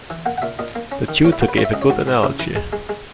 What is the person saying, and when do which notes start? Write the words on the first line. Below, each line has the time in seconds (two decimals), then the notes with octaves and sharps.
The tutor gave a good analogy.
0.10 E3
0.26 A#3 F#5
0.38 F#5
0.42 A#2 E5
0.59 A#2 D#5
0.75 A#3
0.92 C#4
1.08 D#3
1.25 A#2 C#5
1.32 E4
1.41 A#3 F#4
1.49 B4
1.57 A#3 C#5
1.65 E5
1.73 C#2 D#5
1.82 C#5
1.90 G#2 F#4
2.07 G#2
2.23 C#3 E4
2.39 E3 E4
2.56 G#3
2.73 G#3
2.89 G#3